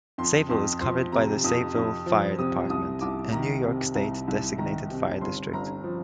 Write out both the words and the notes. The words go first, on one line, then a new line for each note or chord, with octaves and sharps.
Sayville is covered by the Sayville Fire Department, a New York State-designated fire district.
F2 C6
F2 C6
F3 C6
C3 A#5
F2 D#6
F2
F3
C3 D#6
C2 D#6
C2 D6
D#3 A#5
C3
C2 A#5
C2
D#3 A#5
C3
G1 C6
G1 A#5
F3